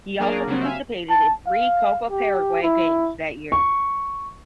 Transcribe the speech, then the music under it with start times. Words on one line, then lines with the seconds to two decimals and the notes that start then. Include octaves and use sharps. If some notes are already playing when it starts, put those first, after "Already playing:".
He also participated in three Copa Paraguay games that year.
0.19 F#3 A#3 D4 G#4 A#4 D5
0.47 C#3 F#3 G3 A#3 C4
0.62 E5 F5 G#5
1.10 A5
1.47 F5
2.10 G4
2.62 E4
3.52 C#6